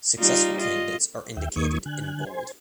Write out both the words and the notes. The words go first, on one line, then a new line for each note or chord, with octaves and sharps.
Successful candidates are indicated in bold.
G3 D#4 F4
F4 D#5
D#2 E5 G5
D#2 D#3 A#3 C#6 D#6 G#6
D3 G#5 F#6
C5 G#5